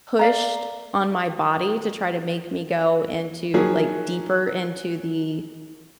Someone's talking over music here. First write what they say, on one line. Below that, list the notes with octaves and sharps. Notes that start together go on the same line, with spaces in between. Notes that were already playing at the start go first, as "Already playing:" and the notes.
pushed on my body to try to make me go into, like, deeper into the
D5 F5 A#5
D#3 F3 F#3 A#3 G#4